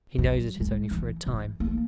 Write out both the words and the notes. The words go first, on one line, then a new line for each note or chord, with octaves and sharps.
He knows it is only for a time.
F#3
G#3
E3
E3
A#3